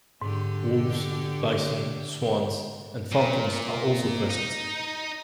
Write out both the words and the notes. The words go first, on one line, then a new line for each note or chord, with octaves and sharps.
Wolves, bison, swans, and falcons are also present.
G#2 D3 G4
A#2
D#4